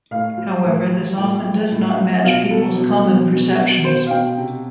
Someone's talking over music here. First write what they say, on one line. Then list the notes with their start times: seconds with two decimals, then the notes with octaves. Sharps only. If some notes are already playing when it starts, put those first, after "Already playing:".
However, this often does not match people's common perceptions.
0.11 A2 F5
0.38 F3
0.65 A2
0.90 F3
1.17 A2 G5
1.44 F3
1.72 A2
1.97 F3
2.24 B2 F5
2.50 B2 A4
2.78 B2
3.05 B2
3.31 B2
3.58 B2
3.84 B2 C5
4.06 F5
4.11 B2 G5
4.38 C3